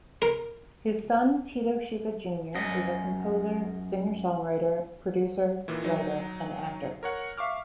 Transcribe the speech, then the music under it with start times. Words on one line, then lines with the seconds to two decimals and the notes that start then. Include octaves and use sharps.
His son Tito Schipa Junior is a composer, singer-songwriter, producer, writer and actor.
0.22 A#4
2.55 F#2 D#5
5.68 A#2 D#3 E3
5.84 F#3 D#4
7.03 A#4 C#5 F#5
7.38 E5 F5 C#6 D6 F6